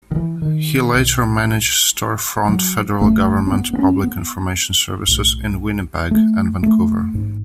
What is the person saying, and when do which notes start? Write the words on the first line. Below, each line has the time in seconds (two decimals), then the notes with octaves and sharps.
He later managed store-front Federal government public information services in Winnipeg and Vancouver.
0.11 D#3
0.16 E3
0.42 D#3
0.94 B1 B2
2.49 F#3
3.01 F#1 E2 C#3 A3
3.47 C#4
3.53 B3
3.73 B3
3.79 C#4
4.04 B3
5.08 B1 A2
6.11 A3
6.63 A3
7.14 A1 G#2